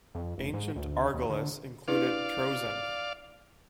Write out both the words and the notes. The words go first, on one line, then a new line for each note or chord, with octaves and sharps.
Ancient Argolis included Troezen.
F2
F1
G#2
D2
D#2
D3
D4 E4 B4 D5 F5